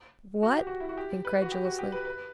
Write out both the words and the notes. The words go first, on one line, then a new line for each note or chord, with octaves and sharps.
"What!" incredulously.
F#4
G4
F#4
E4
F#4
G4
B4
F#4
G4
F#4
G4
B4
B4